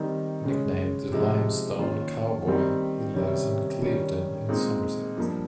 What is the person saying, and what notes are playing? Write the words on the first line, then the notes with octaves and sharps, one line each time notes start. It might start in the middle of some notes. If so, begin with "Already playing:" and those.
Nicknamed The Limestone Cowboy, he lives in Clevedon in Somerset.
Already playing: D#3 G3 C4 D#4
C#3 G#3 C#4
C3 F3 G#3 D#4
D#3 A#3 C#4 F4
D#3 G3 C4 D#4
C3 D#3 G3 C#4
D#3 G3 C#4
A#2 G#3 C4 D#4
G2 F3 A#3